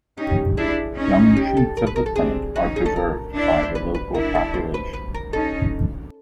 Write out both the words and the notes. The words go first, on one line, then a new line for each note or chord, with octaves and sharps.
Young shoots of the plants are preserved by the local population.
C#4 D#4 G4
D4 E4 G#4
C#4 D#4
G4
A4
A#4
B4
A#4
A4
C4 D4 G#4
C#4 D#4 F#4
G#4
A4
A#4
D4 E4
C5
B4
B4
D4 E4 A#4
A4
C5
B4
B4
A#4
C#4 D#4 A4